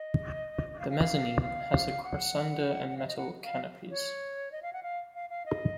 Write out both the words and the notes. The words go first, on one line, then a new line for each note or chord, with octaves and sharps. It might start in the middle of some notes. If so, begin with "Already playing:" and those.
The mezzanine has a crossunder and metal canopies.
Already playing: D#5
F5
F5
F5
F5
F#5
F5
D#5
F#5
F5
C#5
D#5
F5
F#5
F5
F5
F5
D#5